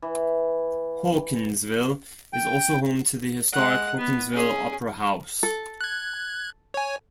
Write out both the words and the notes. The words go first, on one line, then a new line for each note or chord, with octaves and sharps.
Hawkinsville is also home to the historic Hawkinsville Opera House.
E3
G5
G#3 F#5
B3
C#4 G#4
A4
F#6 G#6
C#5 G#5